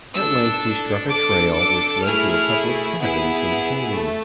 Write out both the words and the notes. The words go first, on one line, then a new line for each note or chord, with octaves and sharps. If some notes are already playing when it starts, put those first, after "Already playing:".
At length we struck a trail which led to a couple of cabins in the canyon.
D4 A4 E6
D4 A4 D6
D6
A3 E4 G#4 F6
B3 E4 G#4
A3